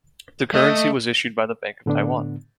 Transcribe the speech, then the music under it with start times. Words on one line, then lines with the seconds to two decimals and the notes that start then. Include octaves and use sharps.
The currency was issued by the Bank of Taiwan.
0.54 A3 D#5
1.86 A2 D3 B3 D4